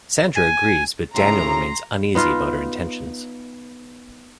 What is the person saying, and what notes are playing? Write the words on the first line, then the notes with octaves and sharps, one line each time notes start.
Sandra agrees, but Daniel remains uneasy about her intentions.
G#5
A2 C#3 A#5 C6
B3 D#4 F4